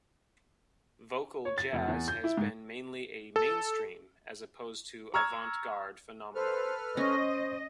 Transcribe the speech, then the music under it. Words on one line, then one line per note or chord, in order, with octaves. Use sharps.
Vocal jazz has been mainly a mainstream, as opposed to "avant-garde," phenomenon.
C#5
A6
F1
E2
G6
E4
G#2
A4
A#5 C#6 E6 F6 G#6
A4 B4 C5 F6
C#4 C5 D#5